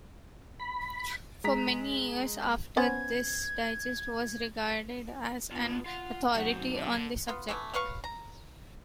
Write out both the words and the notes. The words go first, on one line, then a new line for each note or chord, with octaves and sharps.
For many years after, this Digest was regarded as an authority on the subject.
B5
G#3 A#5 B6
B3 C#4 C5 G#6
B3 D4 F4 F#4
F4 F#5
F#2 B2 F#3 C4 D#4 F#4
D3
B3 F4
E3 A3 B3
F#3 B4 F5 C#6
A#5